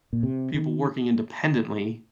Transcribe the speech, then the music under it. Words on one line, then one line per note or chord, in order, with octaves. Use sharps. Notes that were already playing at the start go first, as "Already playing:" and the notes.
people working independently,
A#2
C3
D#3